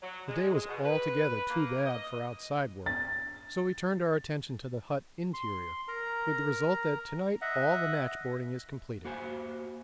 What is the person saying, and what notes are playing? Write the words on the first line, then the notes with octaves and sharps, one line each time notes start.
The day was altogether too bad for outside work, so we turned our attention to the hut interior, with the result that to-night all the matchboarding is completed.
F#3
G#3
G#3
B2
B4
A#3
D#5
A6
C6
A#4 A#5
D#5 E5 F#5
A#3 F#4 C5 G#5